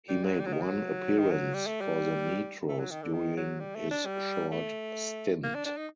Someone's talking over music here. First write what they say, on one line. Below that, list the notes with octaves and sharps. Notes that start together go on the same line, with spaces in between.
He made one appearance for the Metros during his short stint.
G3
F#3
G3
F#3
D#3
F#3
D#3
F#3
G3
A3
G3
A3
F#3
D#3
D3
D#3
F#3
G3
A3
D4
G3
A3
A#3
D4
D4
D#4